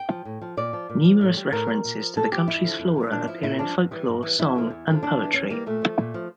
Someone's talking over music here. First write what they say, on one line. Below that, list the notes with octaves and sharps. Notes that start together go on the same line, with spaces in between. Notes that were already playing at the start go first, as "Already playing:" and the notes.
Numerous references to the country's flora appear in folklore, song and poetry.
Already playing: G5
F3
A2
F3
A#2 D5
F3
A#2
F3
A2
G3
A2 A#4
G3
A#2
F3
A#2 A4
F3 G4
F2 E4
D3 F3
F2
D3 F3
A#2 D4
F3 E4
A#2 E4
F3 D4
G2
E3 G3
G2
E3 G3
E2 E4
D3 F3
E2
D3 F3
E2 D4
E3 G3
E2 C#4
E3 G3 A#3
A#2 A3
F3
A#2
F3